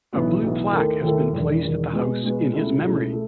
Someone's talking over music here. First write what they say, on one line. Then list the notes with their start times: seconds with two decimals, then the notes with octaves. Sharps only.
A blue plaque has been placed at the house in his memory.
0.13 B1 A2 E3 B3 F#4
0.42 B1 A2 E3 B3 F#4
0.72 D#2 D#3 A3 E4 A4
1.02 D#2 D#3 A3 E4 A4
1.32 E1 E2 D#3
1.63 E1 E2 D#3
1.92 B2 G#3 B3 F#4 B4
2.23 B2 G#3 B3 F#4 B4
2.52 C#2 B2 A3 E4
2.82 C#2 B2 A3 E4
3.12 A3